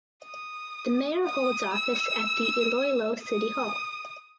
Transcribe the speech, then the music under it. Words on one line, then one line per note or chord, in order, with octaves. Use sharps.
The mayor holds office at the Iloilo City Hall.
D#6
D#6
E6
D#6